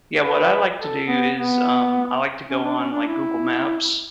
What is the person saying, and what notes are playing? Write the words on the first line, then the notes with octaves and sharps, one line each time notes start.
Yeah, what I like to do is, um, I like to go on, like, Google Maps
B4
A4
B3
B3
C#4
D4
C#4
D4
E4